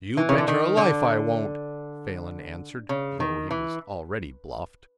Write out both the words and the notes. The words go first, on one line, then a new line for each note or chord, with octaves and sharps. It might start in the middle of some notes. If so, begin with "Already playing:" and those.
"You bet your life I won't," Phelan answered, though he was already bluffed.
E3
C#3
D3
D#3
D3
C#3
D#3
E3